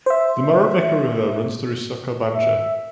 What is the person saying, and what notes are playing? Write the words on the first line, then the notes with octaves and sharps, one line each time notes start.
The Moravica River runs through Sokobanja.
C5 E5
E5